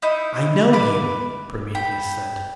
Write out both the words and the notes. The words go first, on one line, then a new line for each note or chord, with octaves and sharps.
"I know you," Prometheus said.
D#4 E4
B4 D6
G5 B5